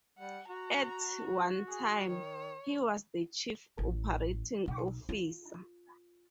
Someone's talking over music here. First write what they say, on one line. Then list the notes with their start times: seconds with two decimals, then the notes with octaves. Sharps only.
At one time, he was the chief operating officer.
0.19 G3 F#5
0.49 F#4 A#5
1.68 G#4
2.07 D#3 C#5
3.79 A1
4.68 B1
5.09 F4